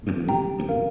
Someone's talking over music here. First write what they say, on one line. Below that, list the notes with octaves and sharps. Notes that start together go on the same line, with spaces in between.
Mhm. Mhm.
G4 G5 A#5
A#4 F5